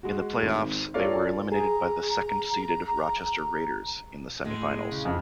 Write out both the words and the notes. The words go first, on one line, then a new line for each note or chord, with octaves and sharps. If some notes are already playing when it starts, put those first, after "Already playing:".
In the playoffs, they were eliminated by the second-seeded Rochester Raiders in the semifinals.
G#3 F#4
G#1 C4
F4 A4 A#4 C#5 D5 F5
G#4 A#5
A2 G#3
C#3
F2